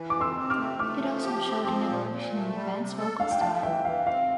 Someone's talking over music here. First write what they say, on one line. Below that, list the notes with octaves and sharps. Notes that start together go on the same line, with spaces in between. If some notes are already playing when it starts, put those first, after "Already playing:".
It also showed an evolution in the band's vocal style.
Already playing: E3
F2 D6
C6 E6
C4
D6 F6
A3
A3 D6 F6
F3
G4
C4
F3 A5 C6
A#2
A#2
A3
G3
C3
A4
D4 F5
G5
A3 F5 A5
E3 E5 G5
E3 F5
C4 F5